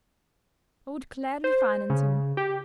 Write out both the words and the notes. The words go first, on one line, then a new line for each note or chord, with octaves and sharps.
I would gladly finance him.
C5
C#3
G4